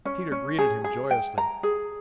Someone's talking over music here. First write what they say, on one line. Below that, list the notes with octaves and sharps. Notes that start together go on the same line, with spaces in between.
Peter greeted him joyously.
C#4
C#4
G#4
G#4
G5
A#5
G#4